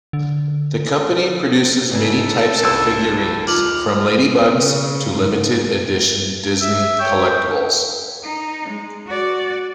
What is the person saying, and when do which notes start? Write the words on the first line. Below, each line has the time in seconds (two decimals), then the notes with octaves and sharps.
The company produces many types of figurines from ladybugs to limited-edition Disney collectibles.
0.13 D3
1.91 G#2 C#3 E3 A4
2.63 C2 E6
3.47 D#2 F4 D6 F6 F#7
4.52 C#3
5.18 G#2
6.61 E5
7.00 C#5 G5
8.24 D#4
8.69 G#3
9.07 F#4 D5